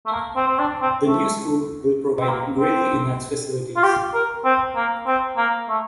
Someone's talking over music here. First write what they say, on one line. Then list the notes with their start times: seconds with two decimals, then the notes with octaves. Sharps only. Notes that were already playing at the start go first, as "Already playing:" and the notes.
The new school will provide greatly enhanced facilities.
0.06 A3
0.12 A#3
0.36 C4
0.47 C4
0.58 D4
0.81 C4
1.05 A3
2.21 C4
2.29 A#3
2.59 C4
3.77 F4
3.83 G4
4.14 A#4
4.44 C4
4.76 A#3
5.07 C4
5.37 A#3
5.68 A3